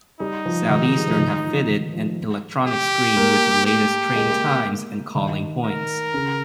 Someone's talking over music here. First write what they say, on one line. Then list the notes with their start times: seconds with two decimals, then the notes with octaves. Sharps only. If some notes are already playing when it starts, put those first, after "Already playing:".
Southeastern have fitted an electronic screen with the latest train times and calling points.
0.20 G3 D#4
0.46 F3
0.70 D#3
0.87 G#3
0.98 G3
1.08 F3
1.19 D#3
1.44 F3
1.69 D#3
1.93 F3
2.68 G4
3.17 A#3
3.67 G4
4.16 G#3
4.23 A#3
4.32 G#3
5.15 D#3
5.64 A#4
6.14 C#3